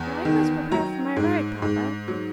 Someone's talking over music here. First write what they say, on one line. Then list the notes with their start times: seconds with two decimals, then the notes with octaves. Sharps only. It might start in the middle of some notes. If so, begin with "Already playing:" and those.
Now I must prepare for my ride, papa.
Already playing: E2
0.25 D#3
0.71 F#3 A#5
1.16 G#2
1.62 G#2
2.08 F#3